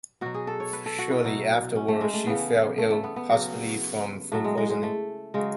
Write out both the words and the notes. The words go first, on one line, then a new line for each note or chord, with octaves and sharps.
Shortly afterward, she fell ill, possibly from food poisoning.
B2 F#3 F#4
G#4
A4
C#5
B4
A4
F#4
E4
B2 F#3
C#4
A3
G#3
A3
C#3 E3 B3
A3
A3
B3
B3
C#3 F#3
A2 F#3 A3
G#3
G#3
G#3
A3
C#3 F#3 G#3